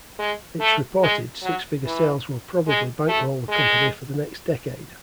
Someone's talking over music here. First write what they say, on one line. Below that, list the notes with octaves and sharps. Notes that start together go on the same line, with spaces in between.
Its reported, six-figure sales will probably bank-roll the company for the next decade.
G#3
A3
G#3
F#3
E3
G#3
A3
G#3